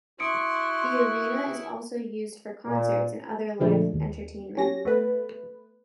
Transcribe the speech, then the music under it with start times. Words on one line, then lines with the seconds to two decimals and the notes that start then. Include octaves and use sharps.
The arena is also used for concerts and other live entertainment.
0.20 E4 F#4 C6 D#6 C#7 D7
2.67 A#2
3.60 A#2 D3 F3 G#3 A3 D4
3.93 D#2
4.57 F#3 C#4 G4 A#6
4.85 A3 B3 B4